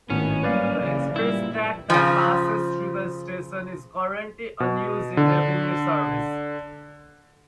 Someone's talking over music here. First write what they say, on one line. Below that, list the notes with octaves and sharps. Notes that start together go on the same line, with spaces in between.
The express track that passes through the station is currently unused in revenue service.
G#1 A2 D#3 B3 C#4
F#3 G3 A#3 B4 D5 F5
C#3 E3
A#2 G3 E4
C#3 F3
B2
D3